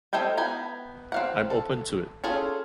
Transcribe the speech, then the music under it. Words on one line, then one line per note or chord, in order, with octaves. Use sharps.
I'm open to it.
C4 A4 D#5 G5 G#5
B3 G5 G#5 A#5
C4 F5 F#5
A4
C#4 F4 G#4 A4